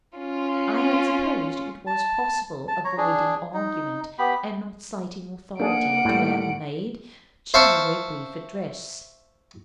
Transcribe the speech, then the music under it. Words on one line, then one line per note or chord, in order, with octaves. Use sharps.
I had supposed it was possible, avoiding argument and not citing authority, to have made to you a brief address.
C#4 F4
A5
A5
C#5 A#5
D4 G#4
D#4
B3 G4 B5
A#3 D4 G#4 F#5 D7
A2 G3
C5 E5 F5 A5 C#6